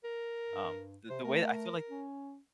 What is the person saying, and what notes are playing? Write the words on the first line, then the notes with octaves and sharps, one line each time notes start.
um, the the way I feel like,
A#4
G2
C3 C5
A3 A#4
C#4